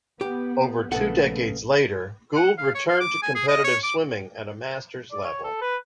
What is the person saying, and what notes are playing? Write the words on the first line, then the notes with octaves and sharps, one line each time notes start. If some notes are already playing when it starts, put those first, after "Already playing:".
Over two decades later, Gould returned to competitive swimming at Masters level.
B3 G4
A#1 C#3 A3 B3 A4 F#5
F#5
F5
C#5
F5
D6
G#5
G#4
D#5
C#5
D6
D5
C#5
A4
B4